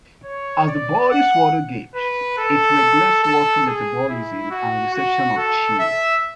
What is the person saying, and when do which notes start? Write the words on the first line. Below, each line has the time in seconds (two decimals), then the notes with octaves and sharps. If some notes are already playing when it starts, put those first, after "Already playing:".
As the body's water gate, it regulates water metabolism and reception of qi.
0.24 C#5
0.68 D5
1.10 F#5
1.95 B4
2.38 A4
3.23 A4
3.66 G#4
4.09 E4
4.50 F#4
4.94 F#4
5.37 A4
5.79 E5